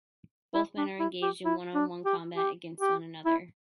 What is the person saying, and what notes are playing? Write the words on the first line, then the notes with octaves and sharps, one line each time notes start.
Both men are engaged in one-on-one combat against one another.
E4
D4
E4
G4
E4
D4
G4
G4
G4
E4